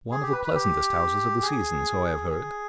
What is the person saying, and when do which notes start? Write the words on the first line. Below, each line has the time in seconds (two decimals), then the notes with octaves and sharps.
One of the pleasantest houses of the season, so I have heard.
0.12 G#4
0.22 G4
0.32 B4
0.44 B4
0.55 G4
1.42 G#4
2.30 G#4